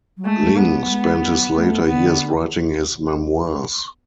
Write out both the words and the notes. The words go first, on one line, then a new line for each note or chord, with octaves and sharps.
Lyng spent his later years writing his memoirs.
F#3
G#3 A3
B3
F#3
G#3
F#3
A3
D3 B3